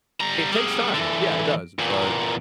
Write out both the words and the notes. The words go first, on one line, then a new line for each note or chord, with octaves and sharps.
it takes time. Yeah, it does. But,
G3 A#5
G3 G#4
D3 E3
E2 A#2